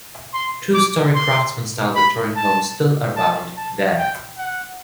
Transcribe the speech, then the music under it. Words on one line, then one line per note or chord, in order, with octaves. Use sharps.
Two-story Craftsman-style Victorian homes still abound there.
C6
D6
C6
B5
A5
A5
A5
G5
F#5